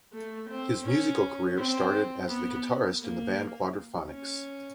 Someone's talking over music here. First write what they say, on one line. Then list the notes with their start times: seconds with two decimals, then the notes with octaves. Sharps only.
His musical career started of as the guitarist in the band Quadraphonics.
0.14 A3
0.50 C4
0.85 C#4
1.57 C4
2.29 B3
3.00 A#3
4.08 C#4